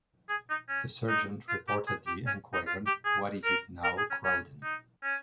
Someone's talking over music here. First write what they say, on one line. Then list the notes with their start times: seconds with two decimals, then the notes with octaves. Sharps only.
The sergeant reportedly enquired What is it now, Crowden?
0.29 G#4
0.49 D#4
0.69 C#4
1.08 D#4
1.48 F4
1.68 G4
1.87 G#4
2.06 G4
2.26 C#4
2.53 D#4
2.67 F4
2.86 G4
3.05 G#4
3.45 A#4
3.84 A#4
3.98 G#4
4.10 C#4
4.24 C#4
4.63 D#4
5.03 C#4